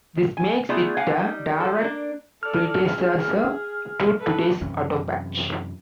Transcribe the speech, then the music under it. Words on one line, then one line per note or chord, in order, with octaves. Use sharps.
This makes it a direct predecessor to today's autopatch.
G#5
A3 B3 D#4 F4 G#4 D5
A#3 F5 F#5 G#5
G3 D#4
F3 A4
A#3 D4
A4 D5 F6
G#4
A4 B4
F#2 C3 E3 C#4